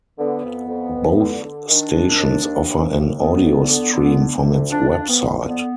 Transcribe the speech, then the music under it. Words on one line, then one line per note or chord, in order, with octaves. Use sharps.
Both stations offer an audiostream from its website.
D3 B3
F2
F2
F2
D3
D3
D#3 D4
D#3
D#2
D#2
D#2
D#2
D2 B3
D3
D3
D3
D3
D2
F2 D4
D4
F2
B3
F2
D3 B3